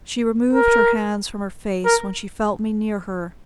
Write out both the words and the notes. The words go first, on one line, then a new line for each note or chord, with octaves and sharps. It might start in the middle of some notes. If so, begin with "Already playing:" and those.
She removed her hands from her face when she felt me near her.
A#4
A#4